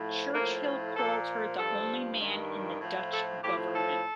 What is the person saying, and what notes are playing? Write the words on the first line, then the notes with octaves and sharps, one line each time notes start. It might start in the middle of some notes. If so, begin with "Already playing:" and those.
Churchill called her "the only man in the Dutch government".
Already playing: A2 F3
A2 F3 A#3
A#2 F3 A4
G2 F3 A4
G2 D#3
A2 F3
A4
A2 F3 G4
A4